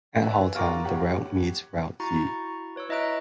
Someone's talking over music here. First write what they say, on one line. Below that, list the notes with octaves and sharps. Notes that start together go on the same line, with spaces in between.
At Halltown, the Route meets Route Z.
B4 C#5 D5 E5 G#5
F4 F#4 A#4 C#6 D6
G4 C#5 F#5
E4 F#4 A#5 C#6 A6
B4 C#5 C#6 E6
E4 D#5 E5 A#5 F#6 D7